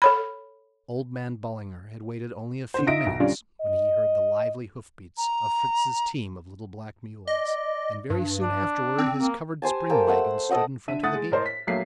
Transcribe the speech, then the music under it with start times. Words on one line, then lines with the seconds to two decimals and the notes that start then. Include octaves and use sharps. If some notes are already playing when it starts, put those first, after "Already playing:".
Old man Ballinger had waited only a few minutes when he heard the lively hoofbeats of Fritz's team of little black mules, and very soon afterward his covered spring wagon stood in front of the gate.
0.02 A4 C#5 B5
2.74 D3 C5
2.87 D#4 F4 E5 A#6 D7
3.06 B1
3.20 D3 G3 C#4 D4 F4
3.61 D#5
5.17 A#5
7.27 D5 D#5
8.10 G2
8.39 D4
8.98 C4
9.21 A#3
9.62 G4 C5 G#5 A5
9.89 A#3 G4 A4 G5
10.07 A3 F#5 E6
10.49 A4 D#5 F#5 G5
10.88 D3 E5 D#7
11.03 A3 E4 F#5 D#6 A6
11.15 G#3
11.31 A2 A#4 C5 D#5 C6
11.46 B6
11.67 A#1 F#3 A3 A#3 B6 C7